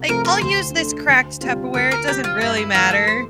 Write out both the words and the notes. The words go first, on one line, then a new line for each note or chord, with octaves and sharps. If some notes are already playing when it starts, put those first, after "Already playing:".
Like, “I'll use this cracked Tupperware. It doesn't really matter.”
Already playing: C2
C3 F3 A3 A#4
A#4
D2 C5
D3 A3 D4
D2
C3 G3 C4 F4
D2 A#4
A#4
C3 G3 C4 G4
F4
G2 E4
E4
E3 A3 F4
A4
C5